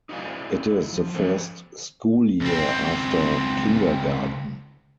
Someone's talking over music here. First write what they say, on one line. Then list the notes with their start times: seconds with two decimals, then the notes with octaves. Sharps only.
It is the first school year after kindergarten.
0.09 D#4 E4 F#4 D5 F5 G#5
0.93 F3
1.14 F3 B3 C#4 C5
2.41 C#2 C4